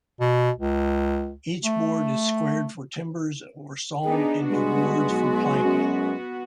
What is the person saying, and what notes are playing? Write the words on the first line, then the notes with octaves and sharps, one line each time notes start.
Each board is squared for timbers or sawn into boards for planking.
B2
C#2
A3
B3 D4 D#4 G#4
G2 G#3 B3 F#4
B1
F#2